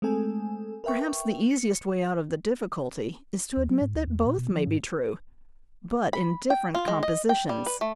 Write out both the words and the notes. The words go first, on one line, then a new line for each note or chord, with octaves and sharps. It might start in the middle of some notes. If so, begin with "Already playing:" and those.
Perhaps the easiest way out of the difficulty is to admit that both may be true--but in different compositions.
G#3 A3 C4 A4 G#5
A#4 B4 E5 G5 C#6
C#7
D#2
F#3
G#2
D2
E2
A#2
B2
F3
G#2
B5
G5
F4
G#3
D#5
G5
G3
B4
A3